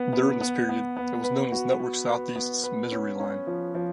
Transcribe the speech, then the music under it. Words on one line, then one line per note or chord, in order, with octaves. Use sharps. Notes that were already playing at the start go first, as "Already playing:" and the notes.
During this period, it was known as Network SouthEast's "misery line".
Already playing: B3 B4
B3
B3
B3
B3
B4
F#4
F#4
B4
B3
B4
C#4
C#4
F3
F3